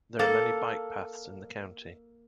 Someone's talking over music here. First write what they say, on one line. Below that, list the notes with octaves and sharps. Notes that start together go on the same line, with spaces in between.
There are many bike paths in the county.
A#3 A4